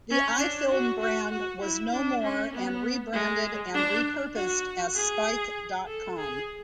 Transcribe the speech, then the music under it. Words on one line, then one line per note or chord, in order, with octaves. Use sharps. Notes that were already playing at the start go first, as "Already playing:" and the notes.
The iFilm brand was no more and re-branded and re-purposed as Spike dot com.
C#4
D4
F#4
F#4
F#4
E4
D4
C#4
B3
G#3
D4
F#4
G#4
A4
G#4